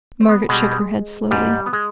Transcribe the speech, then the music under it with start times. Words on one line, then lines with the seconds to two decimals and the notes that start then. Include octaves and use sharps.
Margaret shook her head slowly.
0.21 C4
0.29 B3
0.49 B2 G3 G#3
1.31 G#2 G3
1.66 B3
1.73 G#3